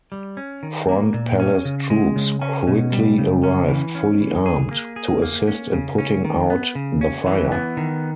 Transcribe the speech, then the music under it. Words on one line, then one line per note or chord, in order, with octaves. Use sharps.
Front Palace troops quickly arrived, fully armed, "to assist in putting out the fire".
G3
C#4
D#3
A#3
A#2
C#4
C#3
G#3
C#3
C#4
B2
G3
C#3
C#4
E3
C#4
E3
G#4
A#3
G#4
A#3
C#4
C#3
C#4
D#3
B3
C#3
C#4
E3
B3
D#3